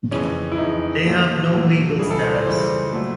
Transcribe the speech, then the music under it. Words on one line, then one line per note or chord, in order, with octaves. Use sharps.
They have no legal status.
F2 C#3 E3 C#4
E4
F2 C#3 E3 D#4
A#2 F#3 A3
A#2 F#3 A3
C#2 C#3 E3 G3 G#4
A4
C5
D5
C#2 C#3 E3 G3 C5
A#2 F#3 A3